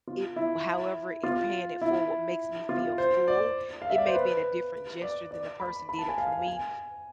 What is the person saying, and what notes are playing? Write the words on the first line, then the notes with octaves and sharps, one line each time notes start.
it however it paying it forward makes me feel full, it may be in a different gesture than the person did it for me,
F4
E4
F4
E4
F4
C5
D5
F5
E5
D5
C5
B4
D5
D5
B5
B5
A5
G#5
F5
F5
G#5